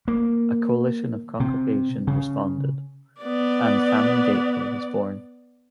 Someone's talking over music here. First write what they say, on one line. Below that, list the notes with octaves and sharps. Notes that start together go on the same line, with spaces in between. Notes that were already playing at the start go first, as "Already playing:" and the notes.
A coalition of congregations responded, and Family Gateway was born.
A#3
C3
C#3
B3 D5